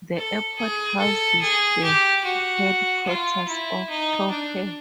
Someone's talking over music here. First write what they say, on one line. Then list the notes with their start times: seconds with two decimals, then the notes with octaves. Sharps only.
The airport houses the headquarters of Propair.
0.17 A4
0.59 G#4
0.99 A4
1.41 G#4
1.83 G4
2.25 F#4
3.06 F4
3.48 E4
3.90 D#4
4.31 D4